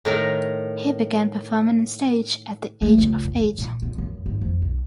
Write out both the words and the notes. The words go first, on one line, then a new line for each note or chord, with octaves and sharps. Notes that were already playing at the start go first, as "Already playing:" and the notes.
He began performing on stage at the age of eight.
A2 D#3 A#4
A3
C#2
F#2
F#2
A#2
B3
F#2
G#1
F2
B1